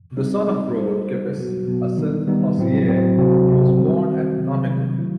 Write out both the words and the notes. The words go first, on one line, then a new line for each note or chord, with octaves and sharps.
The son of Robert Kippis, a silk-hosier, he was born at Nottingham.
G3 C4 D#4
G3 C4 D#4
G3 D#4 A4 C5
G3 D#4 A4 C5
B2 F#3 B3 F#4
B2 F#3 B3 F#4
D#3 G3 B3 D#4
D#3 G3 B3 D#4
A2 F#3 C4 E4
A2 F#3 C4 E4
C3 F#3 C4 F#4
C3 F#3 C4 F#4
D#3 G3 C4 F#4
D#3 G3 C4 F#4
C3 D#3 F#3 C4
C3 D#3 F#3 C4
D#3 F#3 A3 E4